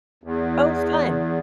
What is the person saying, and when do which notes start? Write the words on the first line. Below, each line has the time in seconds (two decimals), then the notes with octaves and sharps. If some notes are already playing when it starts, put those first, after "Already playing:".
Oh, fun.
0.23 E2